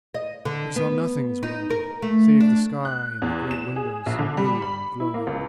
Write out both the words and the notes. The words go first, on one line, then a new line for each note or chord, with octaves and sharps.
We saw nothing as we entered, save the sky in the great windows, blue and glowing.
D#5
D3
B3
D#4
A#4
A3
D4
F#6
E2
E7
G#4
A#1
D3
G3
B5
E4
A#3
C#2